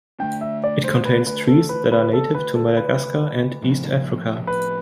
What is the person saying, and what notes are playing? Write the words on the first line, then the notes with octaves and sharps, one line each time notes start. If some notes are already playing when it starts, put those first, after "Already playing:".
It contains trees that are native to Madagascar and east Africa.
D3 A3 D4 G5
E5
D5
C5
B4
B4
A4
B4
B4
A4
B4
A4
B4
A2 F3 B3
B4